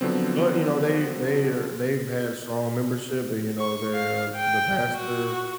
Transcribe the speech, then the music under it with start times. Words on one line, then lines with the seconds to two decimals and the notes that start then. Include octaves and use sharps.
but, you know, they they are they've had strong membership and, you know, their the pastors
0.01 D3 F3 F#3 B3 C4
3.59 C#6
3.93 F5
4.36 G5
4.95 F#4